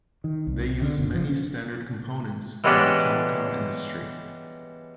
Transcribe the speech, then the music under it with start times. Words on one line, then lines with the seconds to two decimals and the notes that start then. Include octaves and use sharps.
They use many standard components from the telecom industry.
0.24 D#3
0.47 C2
0.70 C3
0.81 D3
0.98 F#1
1.14 F3
1.29 C#4
2.64 E3 G3 G#3 B3 C#4 D4